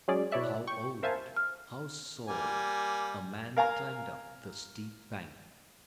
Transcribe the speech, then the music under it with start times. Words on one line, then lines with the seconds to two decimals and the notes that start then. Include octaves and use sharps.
How old, how sore a man climbed up the steep bank!
0.08 F#3 G#3 C#4 G#4 D5
0.32 B2 E4 C#5 D5 E5 F#6
0.67 G5 C#6
1.03 A#4 C5 E5 F5 G#5 A5
1.36 F6
2.28 G3 A#3 G#5
3.57 A#4 F5 G#5 A#5